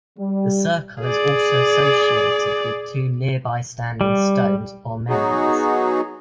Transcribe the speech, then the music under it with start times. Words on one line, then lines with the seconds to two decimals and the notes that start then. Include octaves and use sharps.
The circle is also associated with two nearby standing stones or menhirs.
0.18 G3
1.01 G#4 D5
4.01 G3
5.09 F#3 B3 D#4 F#4 G#4